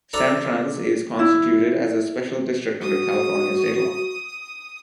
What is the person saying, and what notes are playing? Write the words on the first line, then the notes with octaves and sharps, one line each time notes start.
SamTrans is constituted as a special district under California state law.
D4 A4 A#5
E4
F#4 D#6